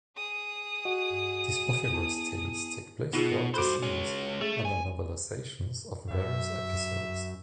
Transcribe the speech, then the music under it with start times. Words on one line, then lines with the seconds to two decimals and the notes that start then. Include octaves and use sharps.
These Buffyverse tales take place throughout the series and are novelizations of various episodes.
0.17 G#4 D#6
0.85 F#4 D#5 F#5
1.91 B3 E4 A5
3.13 B2 D#4 F4 G#4
3.54 G2 F#4 A4 C5 B5
3.83 G#3 C#4
4.41 A3 G#4
4.65 G#5
6.11 F#2 E5